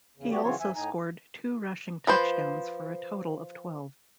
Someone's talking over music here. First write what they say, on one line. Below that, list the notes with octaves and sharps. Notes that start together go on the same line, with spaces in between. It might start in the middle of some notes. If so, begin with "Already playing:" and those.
He also scored two rushing touchdowns, for a total of twelve.
E2 C#3
G3 A3 B3 F#4 G4
C#3 E3 F#3 C4 F4 C#5
G2 F3 E5 G#5
A2 D#4 G#5 A#5
F3 B4 C5